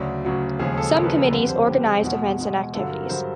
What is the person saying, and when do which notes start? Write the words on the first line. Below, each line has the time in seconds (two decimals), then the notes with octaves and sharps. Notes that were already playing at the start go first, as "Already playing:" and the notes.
Some committees organized events and activities.
Already playing: D2 C#3 F#3 D5
0.25 D2 C#3 F#3
0.59 D#2 C#3 F3 G#3 G#4
0.78 A4
0.95 D#2 C#3 F3 G#3 A#4
1.04 B4
1.14 A#4
1.23 A4
1.31 F2 D3 G3 B4
1.49 C5
1.67 F2 D3 G3 G4
1.85 G4
2.02 E2 B2 G#3
2.38 E2 B2 G#3
2.74 G2 D3 F#3 A4
2.91 A#4
3.09 G2 D3 F#3 C5